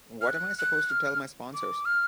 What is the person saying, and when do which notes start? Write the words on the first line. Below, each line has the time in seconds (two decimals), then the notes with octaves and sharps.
What am I supposed to tell my sponsors?
0.21 F6
0.27 F#6
0.58 F#6
0.90 F6
1.54 D6
1.85 F6